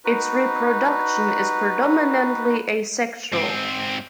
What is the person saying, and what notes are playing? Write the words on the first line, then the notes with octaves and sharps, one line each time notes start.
Its reproduction is predominantly asexual.
D#4 F#4 B4
G#2 C4